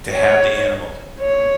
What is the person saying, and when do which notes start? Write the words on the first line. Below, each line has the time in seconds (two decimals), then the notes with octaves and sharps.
To have the animals
0.13 C#5
1.21 C#5